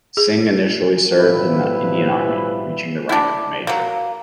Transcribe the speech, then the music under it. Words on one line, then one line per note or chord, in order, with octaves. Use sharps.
Singh initially served in the Indian Army, reaching the rank of Major.
G#4
B1 A2 F3 G3 E4 B4
D4 E4
F#3 A#3